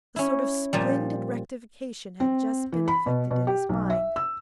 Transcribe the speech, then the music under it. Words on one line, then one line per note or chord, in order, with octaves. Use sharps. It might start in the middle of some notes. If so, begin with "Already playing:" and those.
A sort of splendid rectification had just been effected in his mind.
C#4 E4
A#2 F3 G3
C4
E3
B5
B2
B2
G4
B1
E5
E6